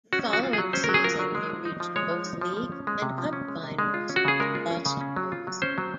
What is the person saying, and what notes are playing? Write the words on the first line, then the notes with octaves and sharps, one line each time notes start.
The following season they reached both league and cup finals but lost both.
C#4 F#4
F#3
F#4
F4
G#4
F#3
C#4 C5
A#4
F#3
G#4
F4 A#4
F#3
G#3
F3
D#4
F3
G#3 C#5
F3
D#4
F3
F3
C#4
G#3
C3
F3
C#4
G#3
C3
G#3
F4
C#4
F#4
C#3 G#4
G#3 A#4
F4
C#4
C#3
C#4
F#3
F4
F#3
C#4 C5
F#3